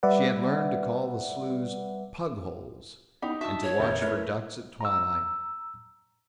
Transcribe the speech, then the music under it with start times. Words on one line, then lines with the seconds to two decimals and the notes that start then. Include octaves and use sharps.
She had learned to call the slews "pugholes," and to watch for ducks at twilight.
0.03 G3 B4 D5 E5 F#5
3.22 B3 D#4 E4 G4
3.41 D4 F#4 E5 A5 E6
3.63 C#5
3.79 F1 A#1 D#3 G6
4.02 A3 E4 A#4 B4
4.81 A#5 E6